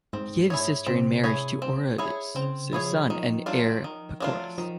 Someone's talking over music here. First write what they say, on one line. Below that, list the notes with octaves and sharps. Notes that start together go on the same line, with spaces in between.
He gave his sister in marriage to Orodes' son and heir Pacorus.
G#2 C4
E4 G#4 C#5
C3 C4
E4 G#4 C#5
C4
E4 G#4 C#5
C#3 C4
F3 E4 G#4 C#5
D#3 F3
F#3 A3 D4 F4
D#3
F#3 A3 D4 F4
D#3 F3